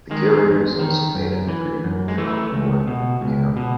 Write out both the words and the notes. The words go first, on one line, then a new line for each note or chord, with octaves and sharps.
The curators also made an agreement with the Earl of Glencairn.
D#3 G#3
E2
D#3
F#2
E3
F#2
G#3
E3 A3
C#2
B2
C#2
B2